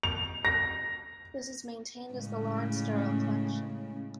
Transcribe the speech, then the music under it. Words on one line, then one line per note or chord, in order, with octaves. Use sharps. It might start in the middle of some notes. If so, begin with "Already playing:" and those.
This is maintained as the Lawrence Durrell Collection.
F7
A#6
A2 C#3 G#3